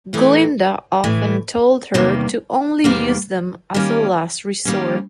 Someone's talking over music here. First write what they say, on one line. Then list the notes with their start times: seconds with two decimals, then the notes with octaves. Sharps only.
Glinda often told her to only use them as a last resort.
0.13 A2 E3 A3
1.04 A2 E3 A3
1.94 E2 C3 D#3 G3 A#3
2.84 E2 C3 D#3 G3 A#3
3.74 D#3 G3 A#3 C#4
4.65 D#3 G3 A#3 C#4